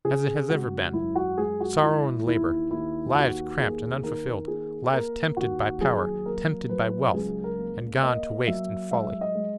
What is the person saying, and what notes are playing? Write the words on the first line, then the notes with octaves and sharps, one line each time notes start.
As it has ever been--sorrow and labour, lives cramped and unfulfilled, lives tempted by power, tempted by wealth, and gone to waste and folly.
C#3 G#4
G#1 F#4
F#2 E4
F#4
G#3 G#4
F#4
E3 E4
D#2 E4
D#2 E4
D#2 F#4
A#3 G#4
D#3 A#4
A#3 G#4
A#3 A#4
D#2 F#4
F#3 G#4
A#3 A#4
F#3 B4
C#2 G#4
A#4
A#3
A#3 D#5
F#3 E5
G#3 E5
D#5
G#3